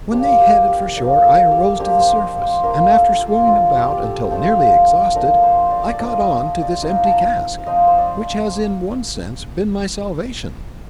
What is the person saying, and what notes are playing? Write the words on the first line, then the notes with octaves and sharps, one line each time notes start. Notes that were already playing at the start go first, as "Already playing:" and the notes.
When they headed for shore I arose to the surface, and after swimming about until nearly exhausted, I caught onto this empty cask, which has in one sense been my salvation.
F3 A#3 D4 G4
G4
G4
F3 A#3 D4
A4
G4
F3 A#3 D4 G4
C5
D#5
C5
F3 A#3 D4 A#4
A4
F4
F3 A3 D4 F4
G4
G4
A4
F3 A3 D4 G5
G5
F5
D#5
F3 A3 D4 A#4
C5
D5
D5
F3 A3 D4 D#5
D#5
D#5
D5
F3 C4 D#4 F5
A5
A#5
F5
F3 C4 D#4 D#5
C5
D5